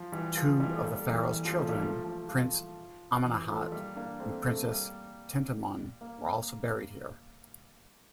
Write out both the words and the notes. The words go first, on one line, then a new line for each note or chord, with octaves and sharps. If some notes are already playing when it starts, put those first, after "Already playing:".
Two of the pharaoh's children, Prince Amenemhat and Princess Tentamun were also buried here.
Already playing: F3
E3 G3
F3
E3 G3
A3
G3 A#3
A3
E3 G3
E3
F3
F3 A3
G3 A#3
F3 A3
F3
F3
E3
F3 A3
G3 A#3
A#3 D4
A3 C4
A3 C4
G3 A#3
A#3